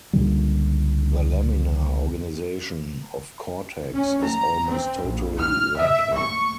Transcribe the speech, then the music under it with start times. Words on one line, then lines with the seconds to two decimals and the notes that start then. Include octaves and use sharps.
The laminar organization of cortex is almost totally lacking.
0.13 C#2 A#2 D3 G3
3.93 C#4
4.22 A#5
4.67 C4
5.03 A#1
5.39 F6
5.77 E5
6.15 C#6